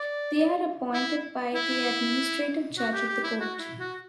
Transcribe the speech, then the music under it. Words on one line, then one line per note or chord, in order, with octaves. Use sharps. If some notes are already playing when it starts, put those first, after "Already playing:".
They are appointed by the administrative judge of the court.
Already playing: D5
E4
E4
F#4
G4
G4
E4
F#4
E4
F#4